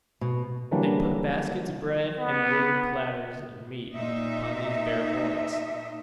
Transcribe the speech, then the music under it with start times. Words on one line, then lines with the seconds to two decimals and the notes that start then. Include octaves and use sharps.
They put baskets of bread and wooden platters of meat upon these bare boards.
0.21 B2
0.71 D3 E3 F#3 G3 A#3 D4
2.18 B3
3.95 A#2 D#4 D#5 E5